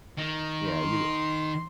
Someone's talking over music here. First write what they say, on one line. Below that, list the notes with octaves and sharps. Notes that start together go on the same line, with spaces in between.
Yeah, you d
D#3
C6